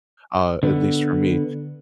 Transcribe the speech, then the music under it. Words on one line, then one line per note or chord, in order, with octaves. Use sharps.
uh, at least for me,
D3 B3